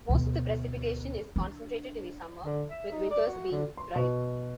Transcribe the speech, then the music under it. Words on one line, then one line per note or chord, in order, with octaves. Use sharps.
Most of the precipitation is concentrated in the summer, with winters being dry.
D2 B2
D4
D3
E5
D#4
D5
F#4
D3
C6
B2